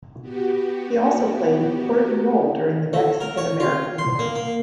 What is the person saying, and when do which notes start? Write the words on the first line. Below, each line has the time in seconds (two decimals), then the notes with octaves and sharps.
He also played an important role during the Mexican-American War.
0.21 B3 F#4 G4
2.93 A3
3.20 A#4
3.37 C#5
3.60 F4
3.98 C6
4.19 A#3
4.35 A#3